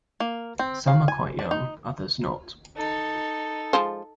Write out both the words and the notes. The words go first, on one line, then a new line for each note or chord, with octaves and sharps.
Some are quite young, others not.
A#3
C4
F5
G#5
D4
D#4
D#4 A4
F3 G#3 C5